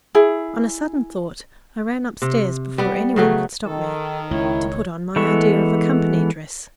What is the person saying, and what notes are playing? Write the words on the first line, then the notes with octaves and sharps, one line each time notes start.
On a sudden thought I ran upstairs before any one could stop me, to put on my idea of a company dress.
E4 G#4
C3
G3 B3
C#3 F#3 A3
D#3 A4
C#2 E4 C#5
E3 G#3 B3 A4 C#6